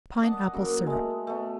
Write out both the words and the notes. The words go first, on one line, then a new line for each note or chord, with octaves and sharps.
Pine Apple Syrup.
D5 D#5 F#5 A5
F#2 A#3 A#4
G#3 A3
B2 A3